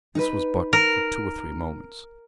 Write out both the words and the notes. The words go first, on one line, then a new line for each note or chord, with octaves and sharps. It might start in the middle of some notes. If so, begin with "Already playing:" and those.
This was but for two or three moments.
D#4 B4
A#4